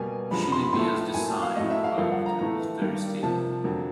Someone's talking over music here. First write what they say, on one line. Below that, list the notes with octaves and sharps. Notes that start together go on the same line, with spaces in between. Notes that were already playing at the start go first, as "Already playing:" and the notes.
Shillibeer's design worked, and was very stable.
Already playing: B2 G3 A#3 G#5
F#2 D3 F3 G#3 B5
B5
C6
B5
A2 F3 A3 C6
B5
A5
A2 F#3 A#3 G#5
A5
F5
A2 F#3 A3 D#5
E5
F5
G2 D3 F3 A#3 F5
F#5
A#5
A2 E3 A3 A#5
G2 D#3 G3 A#3
C3 F3 A#3 A5
F2 D3 F#3 A#3